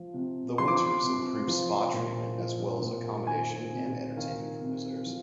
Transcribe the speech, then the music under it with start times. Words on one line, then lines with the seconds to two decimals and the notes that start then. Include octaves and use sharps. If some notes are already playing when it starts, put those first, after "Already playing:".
The Winters improved spa treatment as well as accommodation and entertainment for visitors.
Already playing: F3
0.14 C3
0.58 F3 C6
0.68 D6
0.76 C6
1.03 C3
1.48 F3
1.94 A#2
2.38 F3
2.82 A#2
3.27 D#3 G#5
3.73 C3
4.17 D#3 F5
4.62 C3
5.06 F3